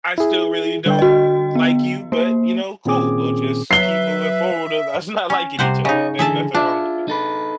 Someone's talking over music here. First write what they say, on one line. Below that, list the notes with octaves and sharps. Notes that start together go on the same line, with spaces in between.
I still really don't like you, but, you know, cool, we'll just keep moving forward with us not liking each other, and there's nothing wrong with that."
E4 G#4
D3 G3 G5
F#4 D#5
B3
A#3 C5
A#2 D#3 C4 C#4 G#4 D6
F#3 B4 E5 C7 G7
C#4
C2 C3 C5 F#5
C#3 D#4 C#5 D#5
D3 E3 G#4 E5 A5
D4 F4 E5
D#4 A4 B4